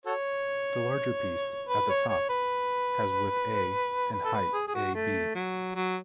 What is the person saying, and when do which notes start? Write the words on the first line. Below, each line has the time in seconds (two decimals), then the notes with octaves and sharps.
The larger piece, at the top, has width a and height a-b.
0.06 F#4 A4 C#5
1.69 B4
1.89 C#5
2.09 C#5
2.30 B4
4.13 B4
4.25 A4
4.34 B4
4.53 G#4
4.67 G#4
4.74 F#4
4.94 A3
5.35 F#3
5.75 F#3